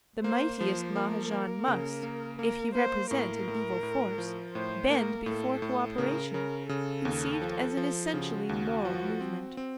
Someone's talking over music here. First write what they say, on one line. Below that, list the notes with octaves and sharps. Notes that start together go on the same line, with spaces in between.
The mightiest Mahajan must, if he represent an evil force, bend before co-operation, conceived as an essentially moral movement.
A#3 C5
F3 C5
A#3 A#4
A#3
C#3
A#3
A#3 A#4
A#3 C5
A2 A#4
A2
A2
F3
A2 C5
A#3 A#4
A2 A4
A2
C#3 A#4
C#3 A#4
C#3 A4
D#2
F3
F3
C#3 F#4
D#2
F3
C4
C4